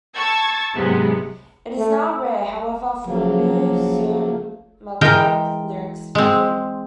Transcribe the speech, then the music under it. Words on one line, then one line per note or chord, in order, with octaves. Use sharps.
It is now rare, however, for new zemer-type lyrics to be written.
A5 C#6 E6 G#6 A6
G#2 C3 F#3 G#3 B3
A3
C#3 F3 F#3 A#3
E3 G#3 A#4 G5
G#3 C4